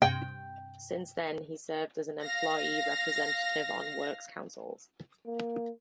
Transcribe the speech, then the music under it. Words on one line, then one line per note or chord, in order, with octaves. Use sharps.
Since then, he served as an employee representative on works councils.
G2 C3 G5
F5 A#6
A#3